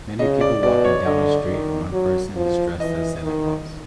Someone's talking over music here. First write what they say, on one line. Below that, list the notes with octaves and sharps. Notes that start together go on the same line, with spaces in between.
Many people walking down a street and one person is dressed as Santa Claus.
C#3 D#5
D5
B2 D5
C#5
D3 D#5
D#3
F#3
F3
E3 D#5
D#3